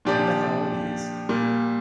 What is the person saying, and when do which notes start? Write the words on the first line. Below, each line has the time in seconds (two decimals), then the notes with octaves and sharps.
Wonder how old he is?
0.05 A#2 F3 D4 G4 D5
1.29 A#2 G3 A#3